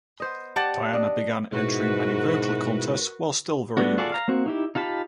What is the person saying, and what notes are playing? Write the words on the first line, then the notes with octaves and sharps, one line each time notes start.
Diana began entering many vocal contests while still very young.
B3 C5 D#5
G4 D5 F#5 A5
D4 D#5
G#2 B2 G#3 E4 F#4 A#4 B4
G3 A3 B3 D4 F#4
F4 F#4 G#4 A4 D5
F5 A#5
A#3 C4 F#4
D#4 E4 G4
D#4 F4 G4 A5 B5